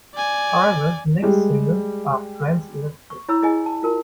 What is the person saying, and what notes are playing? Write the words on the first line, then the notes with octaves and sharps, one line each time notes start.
However, the next single, Are 'Friends' Electric?
D5 G#5
G3 G#3
C#6
E4 C#5 A#5 B5 E6
E4 G#4 D#5 G#5
A5
F4 A#4 A5